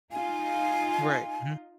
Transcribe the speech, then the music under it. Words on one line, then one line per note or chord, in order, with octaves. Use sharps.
Right, mhm.
D#4 F4 G#5